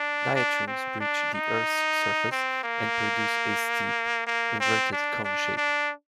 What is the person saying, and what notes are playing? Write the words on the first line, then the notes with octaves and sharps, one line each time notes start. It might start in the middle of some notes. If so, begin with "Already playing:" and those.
Diatremes breach the Earth's surface and produce a steep inverted cone shape.
Already playing: D4
D4
C4
D4
D#4
C4
A#3
A#3
C4
D4
D4
D4